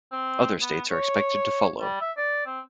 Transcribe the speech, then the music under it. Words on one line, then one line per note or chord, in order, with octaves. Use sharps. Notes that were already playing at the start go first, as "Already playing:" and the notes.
Other states are expected to follow.
C4
B3
C#5
G3
E5
D5
C4